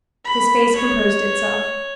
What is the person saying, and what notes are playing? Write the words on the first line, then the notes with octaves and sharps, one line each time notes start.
His face composed itself.
B5
C#5